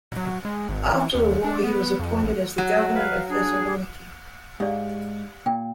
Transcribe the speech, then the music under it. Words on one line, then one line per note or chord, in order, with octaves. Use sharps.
After the war he was appointed as the governor of Thessaloniki.
F#3
G#3
G#1
E3
D#2
D4
B3
F2
A1
F#3
B4 F5
D4 G#4
G#2 G4 D5 F5
A#2 G5